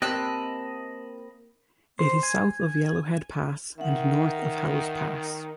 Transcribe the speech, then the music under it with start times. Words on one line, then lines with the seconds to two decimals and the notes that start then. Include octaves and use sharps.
It is south of Yellowhead Pass and north of Howse Pass.
0.02 A#3 C4 G4 D#5 A5 B5 E6 F#6
1.99 C5
2.23 G#5
3.78 D#3 E5 F#5